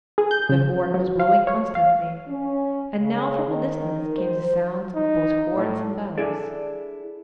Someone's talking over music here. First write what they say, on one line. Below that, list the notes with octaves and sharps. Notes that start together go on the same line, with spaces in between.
The horn was blowing constantly, and now from a distance came the sounds of both horns and bells.
G#4
G6
C#3
F#3
F5
C#5
F5
C#4
C#3
D#3
C5
D#4
A2
D4 E4 G#4 A4 D5